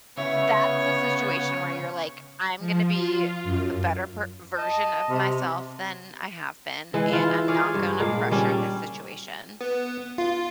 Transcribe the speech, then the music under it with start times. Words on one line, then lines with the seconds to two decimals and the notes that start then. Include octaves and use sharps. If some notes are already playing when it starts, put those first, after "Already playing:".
that's the situation where you're, like, "I'm gonna be a a better per version of myself than I have been, and I'm not gonna pressure this situation."
0.17 C#3 B3 E4 C#5 E5
2.59 F3
2.92 F4
3.43 F#2
4.56 D#5 A5
5.09 C3
6.94 E3 G#3
7.12 E3 E4 F4
7.48 F4 G#4 C#5 D5
7.74 G2
8.00 A#2 G#3 A#3
8.31 G3 C#4 D4
9.61 B3
10.18 F4